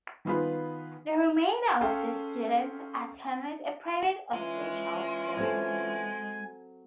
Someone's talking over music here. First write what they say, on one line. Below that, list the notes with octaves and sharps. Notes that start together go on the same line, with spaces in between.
The remainder of the students attended a private or special school.
D#3 B3 F4 G#4 B4
C#4 G#4 A4 F5 G5 C6
E3 G#3 C#4 F4
F#3 C4 A4 G#5